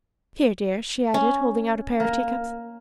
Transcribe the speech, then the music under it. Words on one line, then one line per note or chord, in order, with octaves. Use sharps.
"Here, dear," she added, holding out a pair of teacups.
C#4
A#3 A#4